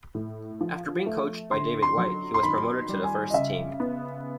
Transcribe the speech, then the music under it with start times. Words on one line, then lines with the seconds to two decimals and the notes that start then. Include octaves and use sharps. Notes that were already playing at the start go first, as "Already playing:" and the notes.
After being coached by David White he was promoted to the first team.
0.15 A2
0.61 F3
1.06 A3
1.51 D3 C6
1.83 C6
1.97 F#3
2.34 C6
2.43 D#3 B5
2.89 G3
3.03 G#5
3.30 D#5
3.33 C#3 E5
3.80 B3